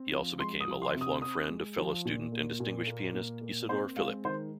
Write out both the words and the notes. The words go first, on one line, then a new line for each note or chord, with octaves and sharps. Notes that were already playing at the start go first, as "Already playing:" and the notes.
He also became a lifelong friend of fellow student and distinguished pianist Isidor Philipp.
Already playing: C4
F3
G#3 C6
D#6
F3
C6
C3
D#6
C4 D#6
G#3
F3
A#2
A#3
A#2
A#3
A#2
A#3
C4 C5
G#3 F5
D#3 C5